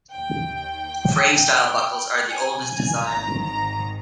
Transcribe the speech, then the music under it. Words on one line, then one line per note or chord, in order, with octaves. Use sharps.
Frame-style buckles are the oldest design.
D#2 D#3 G5
G#5
G#5
G#1 G#2 D#3 A#5
A#5